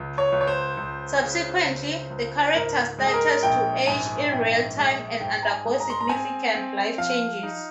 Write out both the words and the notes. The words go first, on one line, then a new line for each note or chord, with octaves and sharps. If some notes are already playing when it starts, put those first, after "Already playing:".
Subsequently, the characters started to age in real time and undergo significant life changes.
Already playing: C#2
C#5
C#2
C#5
C5
C#2
C#3
C#2
C#2
G#2 A#4
G#3
G#4
A#4
A#1 G5
G#2 G#5
A#1 G5
G#3
G#2 G5
A#5
G#5
G#3
A#5
C6
A#5
C4 G#5
C4
F3 F5
D#4